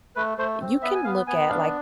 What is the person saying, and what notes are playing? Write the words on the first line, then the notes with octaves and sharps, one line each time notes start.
you can look at, like,
A3 B4
A3 C5
C4
B3 E5
G#5
B3 F5
B3 G#5
D4 F5